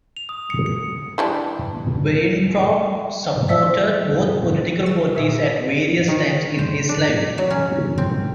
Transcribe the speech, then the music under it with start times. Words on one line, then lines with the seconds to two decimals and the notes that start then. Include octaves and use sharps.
Weintraub supported both political parties at various times in his life.
0.17 F7
0.29 D#6
0.50 C#7
0.66 C#7
1.18 E3 G3 D4
3.48 D5 E5 E6
4.86 E6
5.16 A#2 D#3 G#4 E5
5.46 E3
6.08 D#3
6.59 C5
6.89 D4
7.38 F#3
7.50 C#4
7.98 C4